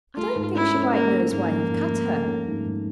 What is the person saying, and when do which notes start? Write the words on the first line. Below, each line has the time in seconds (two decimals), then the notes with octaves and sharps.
"I don't think she quite knows why you've cut her."
0.17 A3 F4
0.36 G#2
0.55 C#4 E4
0.74 C#4
0.93 A#3 C#4
1.12 A3
1.32 G#2 A#3
1.51 F3
1.70 G#2
1.89 A3
2.08 A3
2.27 C#4
2.46 G#2
2.66 G#2